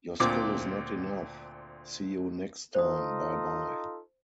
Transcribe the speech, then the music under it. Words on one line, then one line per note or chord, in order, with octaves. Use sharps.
Your skill is not enough, see you next time, bye-bye!
D2 A#2 C4 D6
D#4 F4 A4 C5 D#6